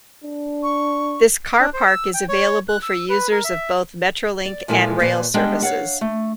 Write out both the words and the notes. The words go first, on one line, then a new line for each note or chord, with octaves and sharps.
This car park is available for users of both Metrolink and rail services.
D4
C#6
D4
C5
E6
G5
C#5
F#6
E6
B4
A#4
E5
D5
A#2 F3 G#3 E4 A4 G#5
D#2 A#2 B4
G3 G#3 B3 D4 G5
C#5 D5 F5 F#5
A3